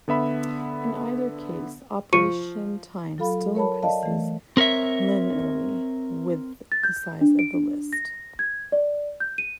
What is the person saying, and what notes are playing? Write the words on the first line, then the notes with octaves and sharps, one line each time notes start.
In either case, operation time still increases linearly with the size of the list.
D3 B3 E5 B5
F3 C#6 C#7 D#7
F#3 F4 A4 F5 B5
A#4 C#5 A5 B5
D5 D#5 F5 A5
E3 A3
C4 A#4 C#5 E5
A6
G6
D4
D7
D4
A#6
G#6
D5
G6
D#7